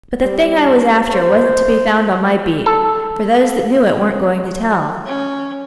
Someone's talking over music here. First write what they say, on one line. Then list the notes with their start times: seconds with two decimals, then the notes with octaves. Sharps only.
But the thing I was after wasn't to be found on my beat, for those that knew it weren't going to tell.
0.22 G3
1.14 C5
2.66 A4
5.06 C#4